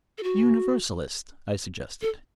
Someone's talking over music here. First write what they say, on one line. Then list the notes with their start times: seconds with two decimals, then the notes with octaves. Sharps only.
"Universalist?" I suggested.
0.18 A4
0.23 F#4
2.02 A4